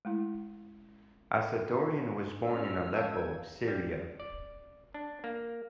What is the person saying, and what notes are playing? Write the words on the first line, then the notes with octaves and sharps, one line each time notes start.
Assadourian was born in Aleppo, Syria.
G#3 A3 E4
A3 C#4 E6 F6
G#3 F5 A5 G6 G#6
G3
D5
D4
A#3